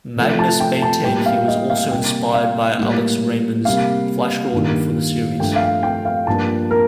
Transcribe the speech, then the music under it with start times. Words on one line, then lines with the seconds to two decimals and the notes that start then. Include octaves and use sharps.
Magnus maintained he was also inspired by Alex Raymond's "Flash Gordon" for the series.
0.16 C3 F3 A3
0.39 A5
0.60 G5
0.82 A5
1.04 A2 G3 A#3 G5
1.26 F5
1.48 D#5
1.70 F5
1.91 C3 G3 A#3 G5
2.34 F5
2.78 A2 G3 A#3
3.65 C3 G3 A#3 F5
4.53 G2 D#3 G3 A#3
5.39 G2 F3 A3 G5
5.56 F5
5.61 G5
5.83 G5
6.05 F5
6.27 G2 F3 A#3 A5
6.71 A#4